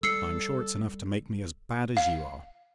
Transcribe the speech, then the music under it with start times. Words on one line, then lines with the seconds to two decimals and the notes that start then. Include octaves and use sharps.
I'm sure it's enough to make me as bad as you are.
0.03 G3 A4 E6 C7 C#7
1.97 F5